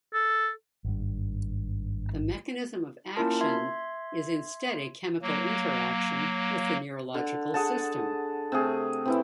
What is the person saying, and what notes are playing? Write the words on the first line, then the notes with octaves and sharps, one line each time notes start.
The mechanism of action is instead a chemical interaction with the neurological system.
A4
G#1 G2
A#3 C#4 E4 F4 A#4 A5
E5 C6 G#6
F#3 A#3
D3
G#4 F#5 A5
C3 A3 G#4
C3 E3 E4